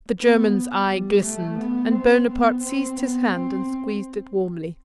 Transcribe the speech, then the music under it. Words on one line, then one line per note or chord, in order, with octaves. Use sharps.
The German's eyes glistened, and Bonaparte seized his hand and squeezed it warmly.
B3
G3
A3
B3
C4
B3
C4
B3
C4